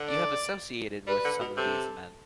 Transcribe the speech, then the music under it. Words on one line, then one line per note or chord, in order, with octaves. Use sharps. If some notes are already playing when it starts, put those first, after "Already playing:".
You have associated with some of these men.
Already playing: D3
D5
G3 B4
D3
B2
C3 A4